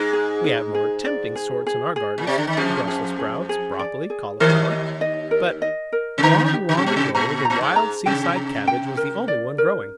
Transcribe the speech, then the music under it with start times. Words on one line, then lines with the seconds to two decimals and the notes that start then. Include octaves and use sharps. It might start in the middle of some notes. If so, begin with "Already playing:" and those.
We have more tempting sorts in our gardens--Brussels Sprouts, Broccoli, Cauliflower, but long, long ago the wild seaside cabbage was the only one growing.
Already playing: G#2 G#3 D#4
0.13 G#4
0.44 D#4
0.75 G#4
1.06 D5
1.36 G#4
1.67 G#4
1.96 G#4
2.18 A#2
2.26 C3 D5
2.38 D3
2.47 D#3
2.57 F2 F3 G#4
2.88 G#4
3.19 G#4
3.49 G#4
3.79 D5
4.10 G#4
4.40 D#2 D#3 A#4
4.70 D#5
5.01 D#5
5.31 A#4
5.62 D#5
5.92 A#4
6.18 C3
6.23 D3 A#5
6.53 G4
6.69 D3
6.77 C3
6.83 A#2 G4
6.96 C3
7.15 A#2 A#5
7.45 A#2 A#5
7.61 G#2
7.76 A#5
8.06 C3 G5
8.36 A#5
8.67 G5
8.97 A#4
9.28 D5
9.58 A#4